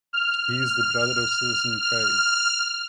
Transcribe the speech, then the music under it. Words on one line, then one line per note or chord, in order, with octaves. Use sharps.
He is the brother of Citizen Kay.
F6
F6